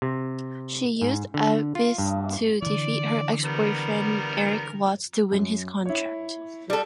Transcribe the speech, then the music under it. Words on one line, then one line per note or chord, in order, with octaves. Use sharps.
She used Abyss to defeat her ex-boyfriend Erik Watts to win his contract.
C3
G#2
D3
F4
G2
D3 E3 D5
G3 B3 A#4
F#2
E4 C#5
G3 A4